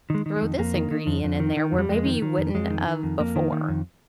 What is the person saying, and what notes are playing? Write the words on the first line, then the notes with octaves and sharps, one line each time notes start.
throw this ingredient in there," where maybe you wouldn't of before.
D#3 G#3
D#3
G#3
F2
F2 A#3
D#3
D#3
F2
F2
D#3
D#3
F2
G3
F2 G#3
D#3
D#3
F2
F2 G#3
D#3
D#3
F2
F2 A#3
D#3
D#3
F2